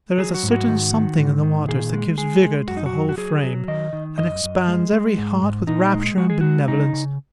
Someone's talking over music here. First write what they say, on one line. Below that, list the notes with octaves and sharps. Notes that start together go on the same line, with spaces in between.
There is a certain something in the waters that gives vigour to the whole frame, and expands every heart with rapture and benevolence.
F#3 G#4
F#4
G#2
F#4
D#3
D#3
G#2
D#3
A#2 G#4
G#3
G#3 G#4
G#3
F#2 F#4
D#4
F#4
F#3
F#4
F#3 G#4
F#3
D#3 D#5
D#3
F#2 D#5
F#2
G#3
G#3
G#2
G#2
A#2 D#4
G#3
G#3 F#4
G#4
G#3 F#4
C#3 D#4
C#3